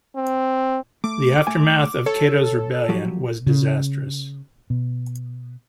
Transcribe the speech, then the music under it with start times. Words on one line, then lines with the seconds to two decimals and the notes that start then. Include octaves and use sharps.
The aftermath of Kato's rebellion was disastrous.
0.16 C4
1.04 A3 D6
1.47 A3 G#5
2.06 A4 C#5
2.89 F3 F#3 G4
3.46 C#3
4.70 B2